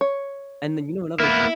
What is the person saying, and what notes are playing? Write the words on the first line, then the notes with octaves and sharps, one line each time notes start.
and then you know another
C#5
A#3 B3 E4